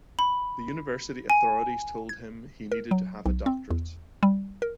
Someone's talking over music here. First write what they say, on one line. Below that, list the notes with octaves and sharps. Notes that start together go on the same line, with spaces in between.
The university authorities told him he needed to have a doctorate.
B5
G#5
G#6
A#4
F#3
B1
C4
E2
G3
A#4